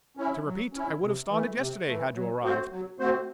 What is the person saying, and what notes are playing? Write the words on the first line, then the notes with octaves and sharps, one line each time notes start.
To repeat, I would have started yesterday, had you arrived.
C#4 E4
F#3
C#4 E4
C3
E3 A3
C3
E3 A3
F#3
A3 C4 F#4 C5
F#3
A3 C4 F#4 C5